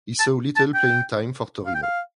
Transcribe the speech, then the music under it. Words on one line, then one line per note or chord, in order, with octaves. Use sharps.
He saw little playing time for Torino.
A5
A5
G5
F5
G5
F5